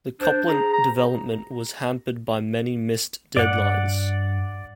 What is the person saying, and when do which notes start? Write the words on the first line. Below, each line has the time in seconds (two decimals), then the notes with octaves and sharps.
The Copland development was hampered by many missed deadlines.
0.20 D4 C5
0.48 G#4 A#5
0.73 A#5
3.37 G2 D5 F#5